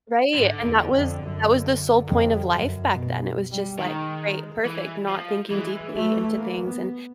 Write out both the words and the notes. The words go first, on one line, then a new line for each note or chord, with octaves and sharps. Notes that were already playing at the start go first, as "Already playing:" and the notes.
Right, and that was that was the sole point of life back then, it was just, like, "Great, perfect," not thinking deeply into things. And
G#2 D3
E2
F2
F#2
F2
F#2
B2
G3
D#3 G#3
E3
F3
E3 G#3
A3
A#3
B3